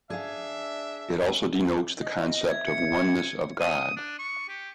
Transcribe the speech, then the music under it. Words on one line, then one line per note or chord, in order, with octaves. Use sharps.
It also denotes the concept of oneness of God.
D4 G#4 E5 F5
D#5
E5 G#6
C#7
D#6
D4
C#6
G4